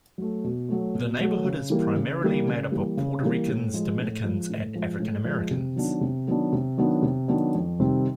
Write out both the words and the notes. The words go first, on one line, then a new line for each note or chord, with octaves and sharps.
The neighborhood is primarily made up of Puerto Ricans, Dominicans, and African Americans.
F#3 A3
B2
F#3 A3
B2
F#3 A3
C#3
E3 G3 A#3
C#3
E3 G3 A#3
C#3
E3 G3 A#3
C#3
E3 G3 A#3
A2
F3 G#3
A2
F3 G#3
A2
F3 G#3
A2
F3 G#3
C3
D#3 F#3 B3 D4
C3
D#3 F#3 B3 D4
C3
D#3 F#3 B3 D4
C3
D#3 F#3 B3 D4
F2
C3 D#3 G3 C4